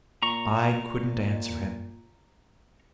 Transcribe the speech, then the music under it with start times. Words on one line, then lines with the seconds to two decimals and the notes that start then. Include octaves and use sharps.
I couldn't answer him.
0.22 A#2 A#5 C#6